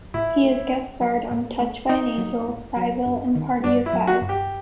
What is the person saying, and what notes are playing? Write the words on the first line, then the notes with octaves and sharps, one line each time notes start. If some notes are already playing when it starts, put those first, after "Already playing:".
He has guest starred on "Touched by an Angel", "Cybill" and "Party of Five".
Already playing: F#3
A2 E4
A3
C4
F#3
A2
A3
C4 D#4
F#3
A2
F#3
G2
D#3
G2 D4
E4
F#3
F#4
G2
G4